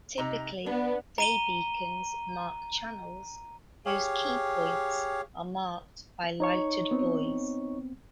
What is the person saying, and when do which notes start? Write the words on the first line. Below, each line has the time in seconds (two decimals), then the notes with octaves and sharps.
Typically, day beacons mark channels whose key points are marked by lighted buoys.
0.18 C3 D#4 A#5
0.66 B3 D4
1.18 A#5 D#7 G7
3.86 G4 G#4 C#5 F5
6.40 D#4 C#5 C#6
6.91 B3 C4